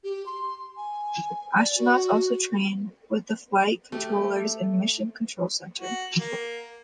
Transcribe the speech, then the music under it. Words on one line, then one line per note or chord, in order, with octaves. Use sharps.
Astronauts also train with the flight controllers in the Mission Control Center.
G4
C6
G#5
D5
F#4
A3 G4
F#4
A#3